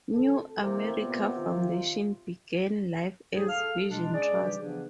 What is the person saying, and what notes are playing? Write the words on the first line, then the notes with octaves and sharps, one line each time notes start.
New America Foundation began life as Vision Trust.
D2 C4 A4
C3 E3 A#3 A#4
A#2 B3
D#3 F4
D2 G#2 F#3 G#4
A4 F5 F6
B2 G#3 D4
G#3 C#4 G#4 D5
C#3 E3 G3 D4 G4
C#3 E3 F3 B3 D4 G#4